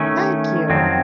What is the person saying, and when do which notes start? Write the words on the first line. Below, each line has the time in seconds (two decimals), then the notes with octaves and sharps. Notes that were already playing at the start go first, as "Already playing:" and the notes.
Thank you!
Already playing: D#3 A3 C#4
0.69 F2 D#3 F#3 C4